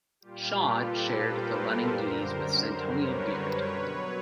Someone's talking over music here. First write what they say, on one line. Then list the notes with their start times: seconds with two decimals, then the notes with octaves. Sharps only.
Shaud shared the running duties with Santonio Beard.
0.21 A#2 G3 F4 G4
0.64 A4 B4
1.07 A#4 C5
1.94 F#2 D3 G3
2.81 B4 C#5
3.67 B2 F#3